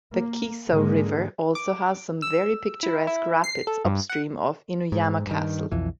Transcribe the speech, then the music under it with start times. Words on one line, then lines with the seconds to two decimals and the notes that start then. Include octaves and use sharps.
The Kiso River also has some very picturesque rapids upstream of Inuyama Castle.
0.13 A#3
0.69 G#2 D3 E3 G#3 A#3
1.55 D6
2.22 E6
2.83 E4
3.07 E4
3.44 C7
3.67 A4
3.85 G2
4.09 F#5
4.92 G#2
5.27 G2 D#3
5.72 B1 F2 E3